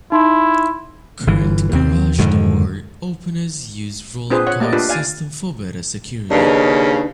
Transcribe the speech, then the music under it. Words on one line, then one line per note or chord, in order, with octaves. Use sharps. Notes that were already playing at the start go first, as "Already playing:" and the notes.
Current garage door openers use rolling code systems for better security.
D#4 E4 C6
G1 E3
D#2 C4
F2 G#2 D3 D#3
C4 D4 F4 G#4 B4 C5
C#5 F#5
A3 A#3 G4 D5 D#5
D4 F4 G4 B4
D5 F5 G#5
D#2 C#3 D4 D#4 B4